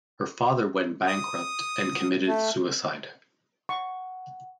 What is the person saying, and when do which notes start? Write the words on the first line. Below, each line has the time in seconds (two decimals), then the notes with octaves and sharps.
Her father went bankrupt and committed suicide.
1.07 D#6
2.27 A3
3.69 F#5 C#6